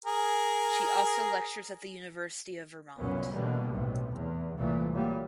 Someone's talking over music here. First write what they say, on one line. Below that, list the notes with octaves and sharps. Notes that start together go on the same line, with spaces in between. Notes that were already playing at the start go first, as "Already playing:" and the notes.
She also lectures at the University of Vermont.
G#4 A#4
C2 F#2 A#2 B3 C#4
B2 D3 E3 G3 A#3
B1 A2 C3
E2
C2 A#2 E3 A3
A#2 F#3 G3